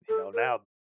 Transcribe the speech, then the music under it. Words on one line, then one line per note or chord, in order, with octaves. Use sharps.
You know, now,
A4
A#4